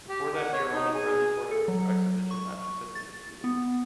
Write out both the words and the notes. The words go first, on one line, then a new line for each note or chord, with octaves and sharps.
Before that year only friendly tournaments or exhibition matches had been disputed.
G4
F#5
C#5
D#4
G#4
A4
F#3
C#6
A6
B3